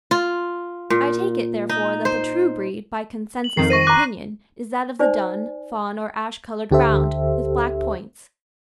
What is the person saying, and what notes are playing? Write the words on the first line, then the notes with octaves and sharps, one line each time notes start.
I take it, therefore, that the true breed, by consensus of opinion, is that of the dun, fawn, or ash-coloured ground, with black points.
F4
A#2
D#4
C5
F#7
F2 D#3 C7
C5 C#6 A#6 D#7
A#5 D6 F#6
D#4 C5 D5 G#5
D2 D3 G4 A4 C5 E5